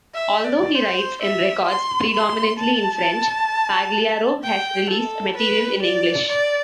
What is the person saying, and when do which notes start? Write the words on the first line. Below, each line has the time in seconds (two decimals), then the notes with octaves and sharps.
Although he writes and records predominantly in French, Pagliaro has released material in English.
0.14 E5
0.45 D5
0.75 C5
1.22 E5
1.68 C6
2.13 C6
2.59 A5
4.43 G5
4.90 A4
5.37 B4
5.82 D5
6.28 D5